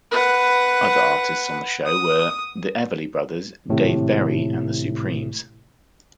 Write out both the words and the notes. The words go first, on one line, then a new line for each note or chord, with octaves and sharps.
Other artists on the show were The Everly Brothers, Dave Berry and The Supremes.
B4 F#5
D#6
G#1 A2 C3